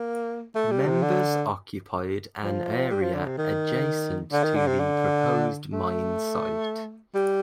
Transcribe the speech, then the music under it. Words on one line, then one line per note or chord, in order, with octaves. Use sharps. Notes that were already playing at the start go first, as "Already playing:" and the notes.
Members occupied an area adjacent to the proposed mine site.
Already playing: A#3
A3
G3
C3
D3
F3
G3
F3
D3
C3
D#3
D3
D#3
D3
C3
D3
A3
G3